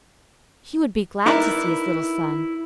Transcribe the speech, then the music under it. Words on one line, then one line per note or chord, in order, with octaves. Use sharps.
He would be glad to see his little son.
D#4 E4 A#4 B4 D5